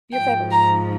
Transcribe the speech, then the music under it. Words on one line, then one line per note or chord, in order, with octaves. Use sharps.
your family.
G#2 F3 G5
A#5